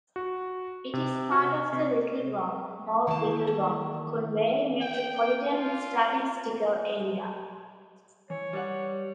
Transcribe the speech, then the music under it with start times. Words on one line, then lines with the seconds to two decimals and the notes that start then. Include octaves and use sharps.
It is part of the Little Rock-North Little Rock-Conway Metropolitan Statistical Area.
0.16 F#4
0.93 C3
1.32 F#4
1.73 C3
3.07 D#3 E3 A#3 E4 G4 A5
4.81 G5
5.54 F4
8.30 E3 C#5
8.53 G3 B4 F#5